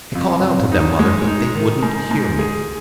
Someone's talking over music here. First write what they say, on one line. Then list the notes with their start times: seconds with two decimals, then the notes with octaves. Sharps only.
"I called out to them, mother, but they wouldn't hear me."
0.15 F2
0.43 F2
0.72 D#4
0.99 G#3
1.27 D#4
1.55 D#3
1.83 G#2
2.11 G#2
2.39 G#4